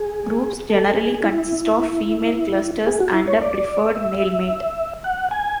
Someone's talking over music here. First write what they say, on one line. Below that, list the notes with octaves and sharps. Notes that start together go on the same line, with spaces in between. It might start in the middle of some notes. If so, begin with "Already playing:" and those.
Groups generally consist of female clusters and a preferred male mate.
Already playing: G#4
A4
G#4
E4
G#4
F#4
E4
C#5
D5
E5
F#5
G#5